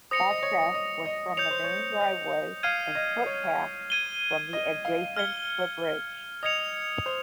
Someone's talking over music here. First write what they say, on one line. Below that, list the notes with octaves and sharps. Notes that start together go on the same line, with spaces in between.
Access was from the main driveway and footpaths from the adjacent footbridge.
C5 D#6 A#6 C#7 F7
D#5
C#5
D#5
D#5
C#5 G6 C#7 F7
C5
C#5
D#5
F5 F6 G#6 C7 D#7
D#5
C#5
G#6 D#7 G7
D#5
F5
F6 G#6 C#7 G7
D#5 D#6 G#6 C#7 F7
C5